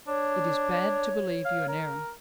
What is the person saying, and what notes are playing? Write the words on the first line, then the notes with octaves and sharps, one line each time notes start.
'It is bad to believe you in error.
D4 C#5
F5
A#4